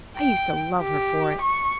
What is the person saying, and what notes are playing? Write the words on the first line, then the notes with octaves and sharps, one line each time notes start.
I used to love her for it.
G5
G4
C#6